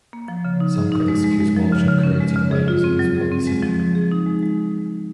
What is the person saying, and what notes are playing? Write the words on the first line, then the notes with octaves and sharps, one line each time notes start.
Some critics accuse Walsh of creating by using his publicity.
A#3
F3
C#3
D#4
G#4
D#4
G#3
G#3
G#3
F3
C#3
C#3
C#4
G#3
C#3
G#4
F4
C4
F#3
G#4
C4
G#3
F3
F3
G#4
D#4
G#3
G#3